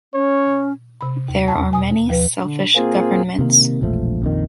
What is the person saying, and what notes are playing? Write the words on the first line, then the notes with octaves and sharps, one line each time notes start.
There are many selfish governments.
C#4 C#5
C3 B5
D#2
E2 A5
B2 G#5 D#6
D#2 F3 B4
D3
A#3 C4 F4 G#4
C3 D#3 A#3
E1 A#1 F3 A3
A#1 F2 D#3